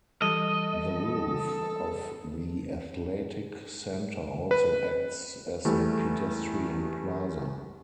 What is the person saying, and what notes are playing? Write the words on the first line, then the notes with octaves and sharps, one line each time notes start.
The roof of the athletic center also acts as a pedestrian plaza.
E3 G3 A4 D#5
B4
E2 G3 A3